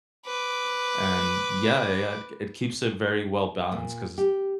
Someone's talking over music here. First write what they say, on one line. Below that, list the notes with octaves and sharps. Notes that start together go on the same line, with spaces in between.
and yeah, yeah, yeah, it t k it keeps it very well-balanced, 'cause
B4 D6
A#2
G4